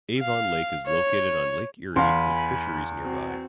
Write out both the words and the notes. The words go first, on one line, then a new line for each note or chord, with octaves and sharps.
Avon Lake is located on Lake Erie, with fisheries nearby.
F5
C#5
E2 F5 G#5 B5 C6
C4 F#4